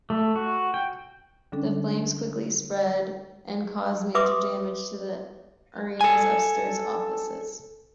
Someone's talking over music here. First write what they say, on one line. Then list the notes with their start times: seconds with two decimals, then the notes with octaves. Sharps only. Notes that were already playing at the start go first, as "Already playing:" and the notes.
The flames quickly spread and caused major damage to the arena's upstairs offices.
0.10 A3
0.35 F#4
0.74 G5
1.52 D3 G3 C#4 D4 A4
4.15 G4 B4 E5 C6 D6 D#6
6.01 A4 G#5